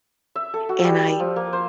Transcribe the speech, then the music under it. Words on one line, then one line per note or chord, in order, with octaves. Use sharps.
and I
E5
A4
F#4
G3
F3
A#3
C5